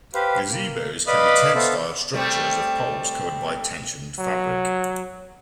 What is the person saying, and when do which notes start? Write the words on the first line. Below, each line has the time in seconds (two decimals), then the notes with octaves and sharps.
Gazebos can be tent-style structures of poles covered by tensioned fabric.
0.14 G4 B4 C5 F5
0.51 A#3
1.07 B4 D5 D#5 F5 B5 D#6
1.55 B3 A4 C5 E5 F5
2.14 G3 A3 C4
4.19 F#3